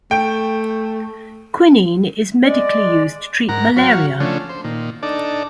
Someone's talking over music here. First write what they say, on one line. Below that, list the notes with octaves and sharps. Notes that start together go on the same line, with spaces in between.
Quinine is medically used to treat malaria.
A3 G5 D7
G#3 D5
G#2 A#4 F#5 A#5
F#3 F#4 C#5 F5
C#3 F3 A3 C#4 D4
C5
A#2 D#3
D4 D#4 A4 D5